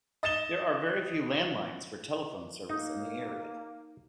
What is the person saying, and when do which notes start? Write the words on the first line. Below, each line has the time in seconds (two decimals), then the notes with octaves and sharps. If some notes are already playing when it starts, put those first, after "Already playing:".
There are a very few landlines for telephone service in the area.
0.23 D#5 A6 E7 G7
2.70 A#3 D#4